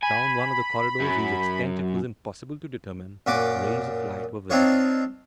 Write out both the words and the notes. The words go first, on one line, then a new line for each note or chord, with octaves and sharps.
Down one of the corridors, whose extent it was impossible to determine, rays of light were visible.
G#5 B5
F#2
F#2 A#2 F#4 D6
C4 D4 D#4 F4 C#5